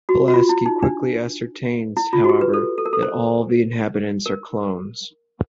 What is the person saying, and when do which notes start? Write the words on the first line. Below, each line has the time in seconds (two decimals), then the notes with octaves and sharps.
Pulaski quickly ascertains, however, that all of the inhabitants are clones.
0.09 F#4
0.28 F#4
0.34 F4
0.49 E4
0.66 D#4
0.83 D4
1.97 E4
2.13 F4
2.24 F#4
2.29 G4
2.41 B4
2.54 A4
2.78 A4
2.85 A#4
2.93 A4
3.03 C5
4.26 A#4